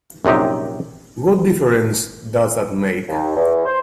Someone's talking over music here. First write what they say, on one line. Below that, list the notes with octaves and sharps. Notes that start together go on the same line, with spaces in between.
What difference does that make?
A#1 F#2 C3 D#4 G4
D#2
E2
C5